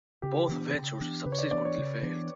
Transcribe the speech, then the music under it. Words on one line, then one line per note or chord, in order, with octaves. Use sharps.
Both ventures subsequently failed.
C#3 G4
E3 B3 D4
C#3
E3 B3 D4
C#3 B4
C#5
D5
E3 B3 D4 D5
C#5
C#3
E3 B3 D4